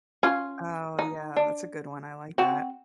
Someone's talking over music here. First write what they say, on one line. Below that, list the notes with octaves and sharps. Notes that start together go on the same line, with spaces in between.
Oh, yeah. That's a good one. I like that.
C#4 F4
D#4
D4
C4 F#4